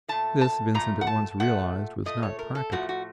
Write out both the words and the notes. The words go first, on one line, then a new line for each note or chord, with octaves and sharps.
This, Vincent at once realized, was not practical.
A#2 A3 A5
A5
A#2 A3 A#5
F#5
A5
A#2 A3 F#5
A#2 A3 D#5
C#5
A#4
A4
A2 F3 A3 F#4
F#4